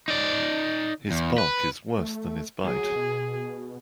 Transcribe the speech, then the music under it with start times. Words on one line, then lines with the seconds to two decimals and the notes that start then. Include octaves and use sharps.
His bark is worse than his bite.
0.08 D#4 D5
1.11 E2
1.38 B4
1.98 A3
2.65 F#3 G#4
2.96 B2